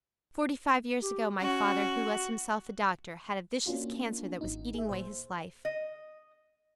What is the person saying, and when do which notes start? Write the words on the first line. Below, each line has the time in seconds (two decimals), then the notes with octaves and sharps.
Forty-five years ago my father, who was himself a doctor, had a vicious cancer that was eating away his life.
1.01 G4
1.41 C#4 F#4
3.66 A#3 C#4 D4 F4 F#4
4.41 G#1 D#4
4.74 G#4 E5
4.89 A#2 C5
5.65 D#5